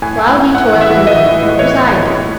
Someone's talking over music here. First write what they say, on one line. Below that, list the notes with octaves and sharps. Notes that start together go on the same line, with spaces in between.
While he toiled in London, what was I doing?
A2 G#5
A2
A2
A2 F#5
E3
E5
E3
E3 D#5
A2
A2
E3 C#5
A2
A2
A2